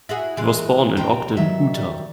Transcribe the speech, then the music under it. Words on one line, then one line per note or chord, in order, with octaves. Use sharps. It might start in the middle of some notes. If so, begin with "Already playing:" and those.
He was born in Ogden, Utah.
E4 F#4 G#4
E3 G#3
B2 F3 C4 G4 G5 A#5
D#3 F#3 E5
G3